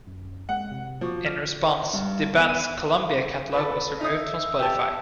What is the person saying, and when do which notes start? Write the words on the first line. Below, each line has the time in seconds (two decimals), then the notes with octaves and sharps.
In response, the band's Columbia catalog was removed from Spotify.
0.07 F#2
0.49 G#3 F#5
0.71 C3
1.01 F3 F#4 C#6 D6
1.26 D6 F6
1.93 G2
2.33 B3
2.49 D#7
3.53 A4 B4
4.01 D#4 E5 D#6
4.59 G4 A5